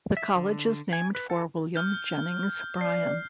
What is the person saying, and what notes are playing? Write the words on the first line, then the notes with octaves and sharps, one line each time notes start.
The college is named for William Jennings Bryan.
E5
D3
G#5
B4
A4
F6 G6
D5 C7